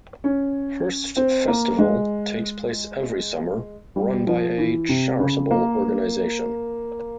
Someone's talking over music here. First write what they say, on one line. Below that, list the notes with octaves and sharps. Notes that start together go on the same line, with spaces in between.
Hurst Festival takes place every summer, run by a charitable organisation.
C#4
C4
A#3
G#3
G3
F3
E3
C3
C#3
A#3